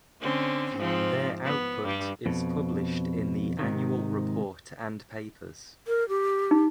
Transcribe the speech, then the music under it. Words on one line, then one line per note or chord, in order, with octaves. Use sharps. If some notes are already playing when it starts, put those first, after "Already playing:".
Their output is published in the annual report and papers.
D3 C4 C#4
G#2 F3 C4
B3
G2 G3
F2 B2
G#2 C3 D#3
A#4
G4
D#4